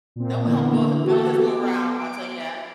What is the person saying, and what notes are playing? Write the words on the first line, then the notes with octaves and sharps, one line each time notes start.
That will help build build his morale, I'll tell you that.
A#2 C4
D3 E3 A#3 B3
F#4 G4 A4
B3 D6
D7